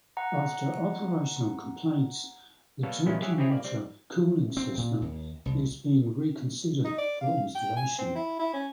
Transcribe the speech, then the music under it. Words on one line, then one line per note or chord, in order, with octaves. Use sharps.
After operational complaints the drinking water cooling system is being reconsidered for installation.
F#5 A#5
G3 A#3 B3 A4 A#4 C#5
A#2 D3 D#3 B3 C#4 E4
G4 G#4 C#5 E5 F#5 G#5
C4 D#4 E4 G4 G#4 C#5
A#3 D5
G3 C4 D5
C4
A#2
D#2
C2
D#4
D5
F5
G5
G#5
C4
E4
E4
C#4